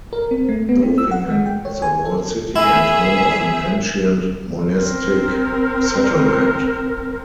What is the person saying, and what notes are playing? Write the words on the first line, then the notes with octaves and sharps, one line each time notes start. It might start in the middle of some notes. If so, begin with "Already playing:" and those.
Zofingen is a walled city and home of an ancient monastic settlement.
A#4
C4
A3
B3
C4
E6
F#5
G#3
G5
C#5
G#5
A4
E4 G#4 E5
C4 A#4